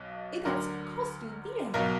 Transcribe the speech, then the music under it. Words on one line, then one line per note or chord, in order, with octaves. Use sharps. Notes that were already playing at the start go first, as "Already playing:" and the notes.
"It has cost you dear!"
Already playing: B1 B2
D2 D3 F#3 A#4
B1 B2 F#3 A#4